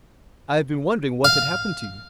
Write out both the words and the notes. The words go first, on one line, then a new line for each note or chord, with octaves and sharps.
I have been wondering what had happened to you.
F5